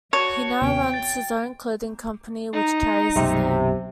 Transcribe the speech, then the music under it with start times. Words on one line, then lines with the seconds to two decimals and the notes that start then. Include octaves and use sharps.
He now runs his own clothing company which carries his name.
0.13 F#4 C#5 A5
0.61 D#2 C3 B3 G5
0.94 A6
2.53 D#4
3.16 B1 F#2 C3